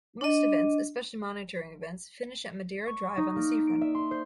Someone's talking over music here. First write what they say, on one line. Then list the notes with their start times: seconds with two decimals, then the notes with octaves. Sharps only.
Most events, especially motoring events, finish at Madeira Drive on the seafront.
0.21 D4 D#5
2.87 C#6
3.17 D#4
3.36 A#3
3.67 D7
3.81 E5
3.95 C6
4.11 C5